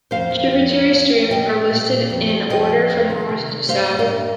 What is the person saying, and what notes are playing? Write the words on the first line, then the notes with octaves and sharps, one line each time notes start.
Tributary streams are listed in order from north to south.
F2 C5 F5
F2
F2
F2
F2
F2
G3 D#5 G5
G3
A#2
G3
F2
G3
F2 D#5 G5
F3
F2
D#3
C3
G3
G2 C5 F5
G2
A#4 D#5
G2